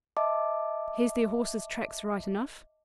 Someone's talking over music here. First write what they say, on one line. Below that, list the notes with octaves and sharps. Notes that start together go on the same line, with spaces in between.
Here's their horses' tracks right enough.
D#5 E5 A5 D6